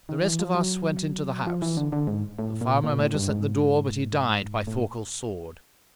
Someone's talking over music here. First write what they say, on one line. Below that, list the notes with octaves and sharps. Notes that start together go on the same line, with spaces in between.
The rest of us went into the house. The farmer met us at the door, but he died by Thorkel's sword.
D#3
E3
F3
F#3
F3
E3
D3
D3
G#2
A2
A#2
A#2
A2
G2
G#2
A2